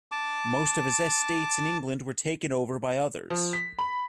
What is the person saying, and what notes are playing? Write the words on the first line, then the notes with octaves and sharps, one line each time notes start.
Most of his estates in England were taken over by others.
A5 D6
F3
B6
B5